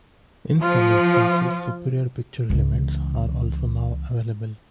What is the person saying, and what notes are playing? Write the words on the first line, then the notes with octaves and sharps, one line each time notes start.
In some instances superior picture elements are also now available.
F3 F4
C#2 E3